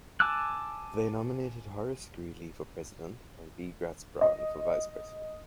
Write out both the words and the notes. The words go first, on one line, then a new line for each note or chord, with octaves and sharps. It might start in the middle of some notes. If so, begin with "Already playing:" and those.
They nominated Horace Greeley for president and B. Gratz Brown for vice president.
G#5 A5 D6 E6 F#6
D#5